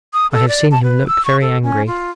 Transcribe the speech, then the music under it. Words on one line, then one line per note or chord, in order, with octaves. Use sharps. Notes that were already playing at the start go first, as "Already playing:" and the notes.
I have seen him look very angry.
D#6
A4
D5
A5
B4
E6
C#6
A4
C#4
F4